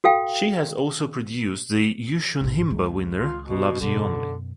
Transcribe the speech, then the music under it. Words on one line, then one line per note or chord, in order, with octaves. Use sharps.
She has also produced the Yushun Himba winner Loves Only You.
F#4 A4 F5 G5
A1 G#2
C#2 G#3
F4
B2
F#2 B2 D3